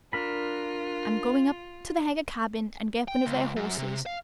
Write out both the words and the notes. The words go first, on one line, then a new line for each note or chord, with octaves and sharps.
I'm going up to the Heger cabin and get one of their horses.
D4 F4 A#4 B5
G5
C#2
F#2
C3
F5